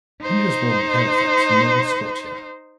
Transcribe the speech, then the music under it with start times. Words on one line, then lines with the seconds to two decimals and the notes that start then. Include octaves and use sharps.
Henry was born in Halifax, Nova Scotia.
0.23 D#4 C5